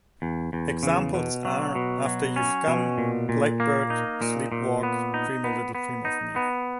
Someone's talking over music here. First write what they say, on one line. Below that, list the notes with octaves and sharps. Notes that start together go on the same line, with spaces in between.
Examples are 'After You've Gone', 'Blackbird', 'Sleep Walk', 'Dream A Little Dream Of Me'.
E2
E2
C#3
B2
F#3
B2
F#3
C#4
B2
A#2
A#2
A#3
D#4
A#2
A#2
B3
D#4
B3
B3
D#4
B3